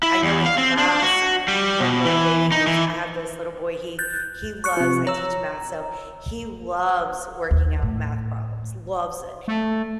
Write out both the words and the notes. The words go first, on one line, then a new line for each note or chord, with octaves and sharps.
I know in class, er, one motivating is I have this little boy. He he loves I teach math, so he loves working out math problems. Loves it.
E4
E2
F5
C4
D4
F#4
G3
B2
E3
D#4
E3
F#6 G6 A6
C#6 F#6 C#7
C3 F3
C#5 A#5 E6
D#2
A2
A3